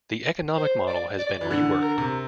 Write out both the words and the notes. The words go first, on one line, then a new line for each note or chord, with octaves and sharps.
The economic model has been reworked.
C5
D5
D5
E3
D3
A#4
C3